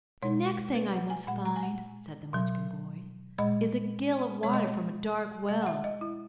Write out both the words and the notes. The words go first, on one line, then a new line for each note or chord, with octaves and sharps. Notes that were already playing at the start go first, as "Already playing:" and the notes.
"The next thing I must find," said the Munchkin boy, "is a gill of water from a dark well."
B2 G#3 C#5
B4
F#5
G#5
A#2 G#3 F#5
A#5
G#5
F#5
B2 F#3
A#2 G#3 D#5
B2 G#3 C#5
D#5
C#5
B2 G#3 D#5
F#5
E5
D#5
E4